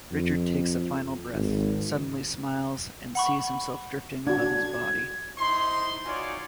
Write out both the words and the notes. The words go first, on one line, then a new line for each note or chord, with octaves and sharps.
Richard takes a final breath, suddenly smiles, and sees himself drifting above his body.
F2
G#1
F#5 B5 C#6
D4 F#4 G#6
D#4 E4 C5 C6
D#4 F4 F#4 C#5 D5 G#5